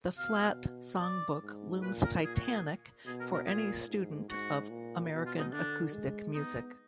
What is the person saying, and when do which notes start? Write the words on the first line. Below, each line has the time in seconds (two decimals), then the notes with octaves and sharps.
The Flatt songbook looms titanic for any student of American acoustic music.
0.18 B2 F5
1.01 D5
1.42 G#2
1.82 A#2 B4
2.03 A#4
2.24 A#2 G#4
2.35 F#4
2.44 G#4
3.06 B2 G#4
3.20 A#4
3.34 A#4
3.47 A#2 G#4
3.88 G#2
4.30 G#2 F#4
4.70 A#2
5.12 B2
5.26 F4
5.39 D#4
5.53 D3 D4
5.94 G#3
6.35 B3 D#4